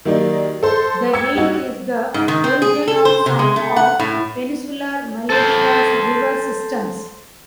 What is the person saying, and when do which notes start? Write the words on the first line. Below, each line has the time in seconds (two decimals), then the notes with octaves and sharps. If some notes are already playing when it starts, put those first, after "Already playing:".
The range is the origin of some of Peninsular Malaysia's river systems.
0.05 D#3 F#3 A#3 D#4 G4 D5
0.63 A4 C5
1.13 G5 E6 G#6 A6 C#7
1.35 G3 D#4 F#4 G4
2.14 G#2
2.28 D#3
2.44 C4
2.62 G#4
2.88 A4
3.05 C5
3.26 C3
3.39 G#3
3.56 A3
3.76 F#5
3.99 A2
5.30 A4 C5